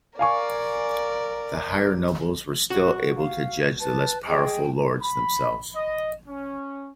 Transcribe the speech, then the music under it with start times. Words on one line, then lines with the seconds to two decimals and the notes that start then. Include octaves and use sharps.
The higher nobles were still able to judge the less powerful lords themselves.
0.19 A#4 D5 F5 G#5 C#6
2.70 F#4
3.17 F5
3.80 B4 A5
4.28 G#4 D#5 G5
5.00 B5
5.75 D#5
6.27 C#4